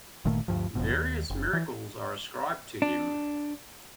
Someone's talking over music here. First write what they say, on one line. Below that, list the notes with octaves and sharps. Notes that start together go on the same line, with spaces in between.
Various miracles are ascribed to him.
G1 A#2 D#3 A3
D2 G2 F3
F#1 F2 B2
D#2
F#1
E3
D4